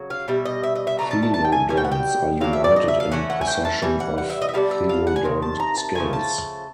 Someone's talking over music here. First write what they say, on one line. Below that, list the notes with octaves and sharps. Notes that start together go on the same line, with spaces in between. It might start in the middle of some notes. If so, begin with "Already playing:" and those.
Thelodonts are united in possession of "thelodont scales".
Already playing: C#3 F#3
F5
B2 G3 E5
D#5
E5
D#5
E5
B2 F#3 A3 D4 A#5
A5
A5
A5
G5
G#5
B2 G3 G#5
G5
F#5
G5
C#3 F#3 D4 F5
E5
D5
D#5
E5
F5
E3 A3 C#4 F#5
F#5
G#5
G5
A5
E3 G3 G#5
F#5
F#5
E5
D#5
E5
D3 G3 B3 D4 F5
E5
F5
F#5
G#5
C3 D#3
A5
A#5
A5
C#3 F3 A3 G#5
A5